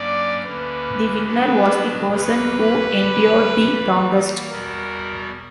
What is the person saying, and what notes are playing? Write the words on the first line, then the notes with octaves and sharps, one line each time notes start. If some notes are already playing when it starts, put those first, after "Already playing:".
The winner was the person who endured the longest.
Already playing: G2 F#3 A#3 C#4 D5
D2 D3 A#3 C#4 B4
B2 F#3 B3 D4 F#4 B4
D2 C#3 F#3 A#3 B4
D3 F#3 C#4 G4
E3 G3 A#3
E2 B2 G3 B3 F#4 A#4